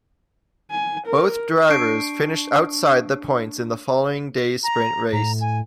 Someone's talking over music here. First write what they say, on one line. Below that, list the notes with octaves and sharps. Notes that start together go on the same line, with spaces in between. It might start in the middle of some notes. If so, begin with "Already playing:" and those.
Both drivers finished outside the points in the following day's sprint race.
G#5
A#4
D4 C#6 C7 D7
A#5
A2 A#5
G#5